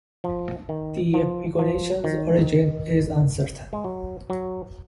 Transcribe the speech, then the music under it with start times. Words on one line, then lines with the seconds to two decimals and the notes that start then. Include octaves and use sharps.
The epigonation's origin is uncertain.
0.24 F3
0.69 D#3
1.14 F3
1.59 F3
2.04 D#3
3.73 G#3
3.84 F#3
4.30 F#3